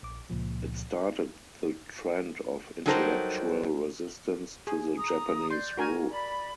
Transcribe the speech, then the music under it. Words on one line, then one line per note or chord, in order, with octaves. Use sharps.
It started the trend of intellectual resistance to the Japanese rule.
A#1 D6
C#2 A#2 F3
F#3 G3 D#4 A4 A#4 C5
G#4
A#5 D#6
D5 C6 G6
F#4 A#4 G#5
D5 B5